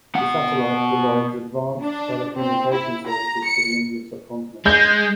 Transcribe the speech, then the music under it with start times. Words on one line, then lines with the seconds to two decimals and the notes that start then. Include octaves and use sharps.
The satellite provides advanced telecommunication services to the Indian subcontinent.
0.15 B2 F#5
1.82 D4
2.39 C4
2.72 E4
3.08 A#5
3.47 C#7
4.66 G#3 G6